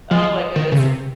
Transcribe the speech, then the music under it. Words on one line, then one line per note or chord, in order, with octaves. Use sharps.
oh my goodness,
F3
D#3
C#3
C3